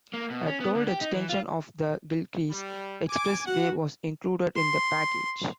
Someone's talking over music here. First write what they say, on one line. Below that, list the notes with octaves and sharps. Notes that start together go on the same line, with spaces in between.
A tolled extension of the Gilcrease Expressway was included in the package.
A#3
B2
C#4
B3
D3
G4
D#4
E3
F4
G3
G#5 D6
F#4 F#5
C6